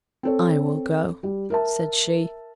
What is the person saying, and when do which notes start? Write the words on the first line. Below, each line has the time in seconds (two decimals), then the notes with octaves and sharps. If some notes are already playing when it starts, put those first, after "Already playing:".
'I will go,' said she.
0.23 C4 A4 C#5
1.23 G3
1.50 A#4 E5 A5